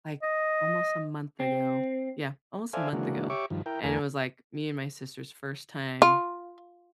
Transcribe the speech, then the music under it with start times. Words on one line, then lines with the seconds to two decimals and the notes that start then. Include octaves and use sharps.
like, almost a month ago. Yeah, almost a month ago, and it was, like, me and my sister's first time.
0.23 D#5
1.40 C4
2.73 A4 C5 D5 E5 F5 G#5
2.93 C#3 E3 G#3 A#3 D4 F#4
3.30 G4 C#5 E5 C#6 D6
3.50 G2 D#3 F3
3.66 E4 A#4 G5
3.84 E2 A3 A#4 G#5
6.02 F4